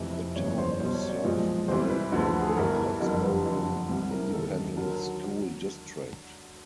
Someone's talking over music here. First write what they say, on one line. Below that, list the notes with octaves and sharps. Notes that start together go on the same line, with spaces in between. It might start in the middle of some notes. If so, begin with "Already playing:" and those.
The town is served by the Pottsboro Independent School District.
Already playing: F1 F2 C3 E3
G1 F2 C#3 E3 C#5
C5
C#5
B1 B2 G3 C5
C#5
D5
B1 A#2 F3 G#3
E2 C3 E3 G3 C5
B4
D2 D3 F3
G#4
A4
G1 G2 E3 G3 A#4
F#1 F2 D3 G3 A#4
F#1 F2 D3
C2 C3 E3 G3
A#4
E1 D#2 D#3 A4
D3 F#3 A#4